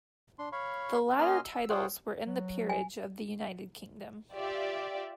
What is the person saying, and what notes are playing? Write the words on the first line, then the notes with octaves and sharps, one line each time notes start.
The latter titles were in the Peerage of the United Kingdom.
D4 C6
C#5 F5 B5 C#6
A#3 C#4 D#5 G#5 C6 F6
E6
F4 G#4 C5 C#5 F#5 G5
F#3
G#5
F4 G4 D5 E5